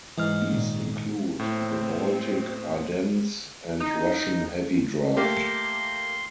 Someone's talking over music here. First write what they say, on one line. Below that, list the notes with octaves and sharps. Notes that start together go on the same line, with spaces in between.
These include the Baltic Ardennes and Russian Heavy Draft.
G#2 E3 F6
A#2 D#3
A2 C4
D#4
A3 A#3 G4 C6